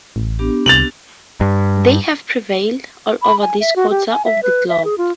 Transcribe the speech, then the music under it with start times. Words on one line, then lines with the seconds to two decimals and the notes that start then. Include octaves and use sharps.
They have prevailed all over this quarter of the globe.
0.16 A1
0.39 B3 D4 G4
0.66 C2 A6 F7 F#7
1.41 G2
3.22 B5
3.39 G#5
3.60 E5
3.76 F#4
3.90 G4
4.11 G#5
4.25 E5
4.43 B4
4.69 E5
4.85 G#4
4.98 F4